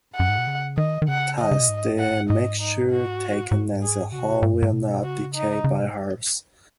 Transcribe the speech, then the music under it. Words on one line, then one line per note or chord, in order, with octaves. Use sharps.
Thus, the mixture taken as a whole will not decay by halves.
F#2 F#5
G#2
B2
C#3
D#3 D#5
D#3
C#3 F#5
D#3 D#5
C#3
B2
G#2
F#5
G#2 D#5
D#4
F#4
G#2
G#4
C#3 F#4
B2
C#3
B2
G#2
F#2
G#2
B2
C#3 F#4
D#4
C#3
B2